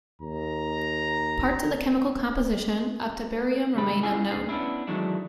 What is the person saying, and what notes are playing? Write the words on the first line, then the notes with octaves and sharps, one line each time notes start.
Parts of the chemical composition of tiberium remain unknown.
D#2 A#5
B1 G2 D3 G3 G4 B5
B3 C#4 E4 F4 G#4 G#5
C#4 G#4
B3 C#4 D4 E4
D#3 E3 F#3 G#3 A3 D4